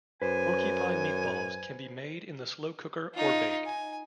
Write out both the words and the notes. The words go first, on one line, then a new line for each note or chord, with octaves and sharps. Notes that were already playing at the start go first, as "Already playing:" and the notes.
Porcupine meatballs can be made in the slow cooker or baked.
F#2 B4 C5 G#5
D#4 F4
G#5